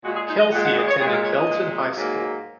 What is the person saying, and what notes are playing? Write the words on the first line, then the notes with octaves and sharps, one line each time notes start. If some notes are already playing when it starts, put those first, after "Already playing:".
Kelsey attended Belton High School.
A#2 G#3 F#4
G#4
D#4
D#5
A#2 G#3 F#5
F#5
D#5
C#5
A#2 G#4
G#3
A#4
C#5
D#5
A#2 G#3
G#2 F#3 A#3